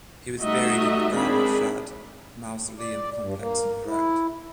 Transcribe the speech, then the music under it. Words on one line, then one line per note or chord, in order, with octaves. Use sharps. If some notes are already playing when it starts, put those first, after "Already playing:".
He was buried in the Gawhar Shad Mausoleum complex in Herat.
G3 A3 D#4 F#4 D#5 E5
D#3 G#3 C4 D4 G#4 B5
D5
G2
A#3
E4